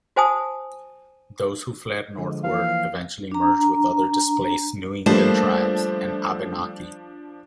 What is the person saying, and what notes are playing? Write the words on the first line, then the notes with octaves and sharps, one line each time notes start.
Those who fled northward eventually merged with other displaced New England tribes and Abenaki.
F#4 C5 G#5 A5 D#6
D3 F3 G#3
E3 F3 A#3 F5
D4 A#5
F3 G3 A3 A#3 D4 C5 E7